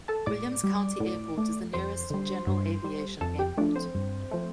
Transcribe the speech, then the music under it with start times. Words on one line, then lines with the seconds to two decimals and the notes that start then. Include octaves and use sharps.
Williams County Airport is the nearest general aviation airport.
0.08 A4 A5
0.26 A2 D5 D6
0.64 G3
1.00 A2
1.38 A3
1.73 F2 C5 C6
2.10 D3 G3
2.47 G2
2.84 G3
3.21 F2 A4 A5
3.39 G4 G5
3.57 F3 A3 D4 D5
3.76 C4 C5
3.94 G2
4.31 F3 A3